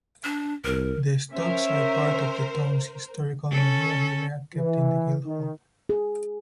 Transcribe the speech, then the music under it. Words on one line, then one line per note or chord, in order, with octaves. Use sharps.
The stocks are part of the town's historical memorabilia kept in the Guildhall.
D4
C2 A#4
C#4 A#4 C5 E5
C#4 A4
E3
D#3
G#4